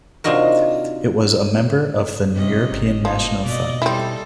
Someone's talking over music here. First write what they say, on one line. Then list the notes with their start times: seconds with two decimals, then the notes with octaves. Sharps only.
It was a member of the European National Front.
0.24 C3 D4 D#4 F4 F#4 A#4
2.34 C3 C#4 D#5
2.72 G1
3.05 F3 A#3 D#4
3.46 B2 D5 D#5
3.82 G3 C4 D#4 E4 A4